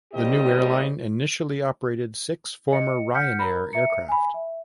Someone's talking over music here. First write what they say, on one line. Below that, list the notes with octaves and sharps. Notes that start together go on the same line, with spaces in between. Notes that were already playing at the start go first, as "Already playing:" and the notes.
The new airline initially operated six former Ryanair aircraft.
D#2 A2 G3 C4 G4 D#5
D#5 C#7
F#5 F6 G6 B6 C#7
A#4 A#5 B5
E5 A#5 C#7
G#5 B5
E5